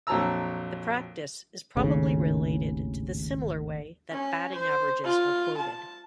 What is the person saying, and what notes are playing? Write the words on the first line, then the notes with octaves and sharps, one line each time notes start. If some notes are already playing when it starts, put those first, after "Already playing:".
The practice is probably related to the similar way that batting averages are quoted.
A#1 F2 F#3 A5 A#5 E6
G#1 D#2 A2 C#3
C#4
C5
F4
A5